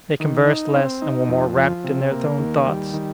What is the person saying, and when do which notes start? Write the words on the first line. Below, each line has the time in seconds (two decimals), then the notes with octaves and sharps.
They conversed less, and were more wrapt in their own thoughts.
0.20 D#3
0.47 D#4
0.74 C4
1.02 D#4
1.29 F2
1.56 F3
1.84 C3
2.11 A#3
2.38 D#2
2.66 G3
2.93 D#3